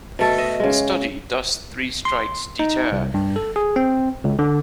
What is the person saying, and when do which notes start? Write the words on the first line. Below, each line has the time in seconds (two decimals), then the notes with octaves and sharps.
A study, Does Three Strikes Deter?
0.19 B2 A3 A4
0.38 D#5 E5
0.60 C#3 G#3
2.05 C6
2.59 D#4
2.92 C2
3.14 G2
3.36 A4
3.56 G#4
3.76 C4
4.24 C#2
4.39 D3